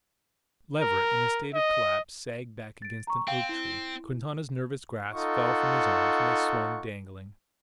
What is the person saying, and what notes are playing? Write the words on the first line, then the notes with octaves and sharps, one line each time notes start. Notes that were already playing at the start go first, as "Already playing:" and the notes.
Leverett, in a state of collapse, sagged back against an oak tree. Quintana's nervous grasp fell from his arms and they swung, dangling.
A#4
D#5
A6 D7
A#5 C#6
C4 F5 G5
E4
D#4 F4 A4 F#5 C#6